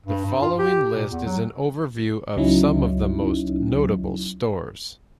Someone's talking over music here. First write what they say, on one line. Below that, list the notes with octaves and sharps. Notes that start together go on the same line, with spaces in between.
The following list is an overview of some of the most notable stores.
G2
G2
F4
G4
A#2
E2
F#3
C#2 F#3 C#4 D#4 E4